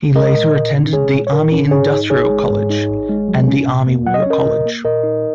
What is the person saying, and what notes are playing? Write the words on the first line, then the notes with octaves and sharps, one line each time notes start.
He later attended the Army Industrial College, and the Army War College.
G#3 A#4 D#5
A#2
A#2
C#4
G#3 G#4 C#5
A#2
C#5
A#2 A#4
C#4
G#2 G#4 C#5
D#4
G#1 G#4 C#5
G#3
G#2
D#4
G#1
G#3
F#3
C#4
A#2
A#3
F#3 F#5
D#5
C#5
C#4 A#4 D#5
A#2
A#3
A#2 A#4 D#5
D#4